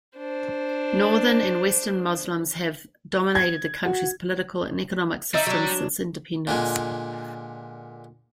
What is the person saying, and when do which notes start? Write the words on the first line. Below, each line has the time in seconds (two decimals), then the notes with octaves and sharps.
Northern and western Muslims have dominated the country's political and economic system since independence.
0.17 D4 C5
3.35 G#6
3.85 F#4
5.34 G3 D#4 E5
5.47 F#3 D4
6.47 A#2 D3 G#3